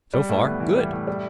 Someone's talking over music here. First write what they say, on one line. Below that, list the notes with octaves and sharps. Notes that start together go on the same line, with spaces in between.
So far, good!
G3
A2
B3
E3
G3
A2
G3